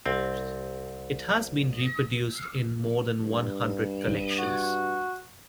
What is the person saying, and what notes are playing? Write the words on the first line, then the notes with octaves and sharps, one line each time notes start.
It has been reproduced in more than one hundred collections.
C2 C4
G2
F#4